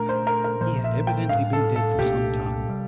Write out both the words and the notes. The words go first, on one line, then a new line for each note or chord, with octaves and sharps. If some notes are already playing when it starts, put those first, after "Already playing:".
He had evidently been dead for some time.
Already playing: A#2 A3 D4 A#4
C5
A#4
A#4
A#2 F3 A#3 C5
E5
G5
A2 G3 D4 F5
A4
A4
C2 A#2 A3 D4 G4
C3 G3